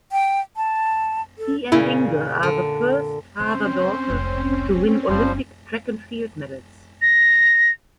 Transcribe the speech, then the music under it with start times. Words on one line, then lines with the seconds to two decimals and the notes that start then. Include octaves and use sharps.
He and Inger are the first father-daughter to win Olympic track and field medals.
0.12 G5
0.57 A5
1.38 A4
1.72 A#2 C#3 E4
2.43 D3
3.40 C#3 C4 C#4 C5
4.10 F1 C#2
5.09 F#1 F3 G3 C5
7.02 A#6